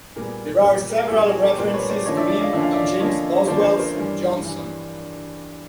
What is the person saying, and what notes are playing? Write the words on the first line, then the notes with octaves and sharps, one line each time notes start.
There are several references to him in James Boswell's "Johnson".
A#2 G3 B3 G#4 A#4
A#2 G3 B3
A#4
A4
G#4
A#2 G3 B3 G4
F#4 G#4
G4 A4
A#2 G3 B3 A#4 C5
B4 C#5
C5 D5
D3 F3 A#3 C#4 C#5 D#5
D5 E5
D5 E5
D#5 F5
D3 F3 A#3 C#4 E5
F5
D5 E5
D3 F3 A#3 C#4 C#5 D#5
D3 F3 A#3 C#4 C5 D5
C5
B4 C#5
A#4 C5
G2 E3 G3
G2 E3 G3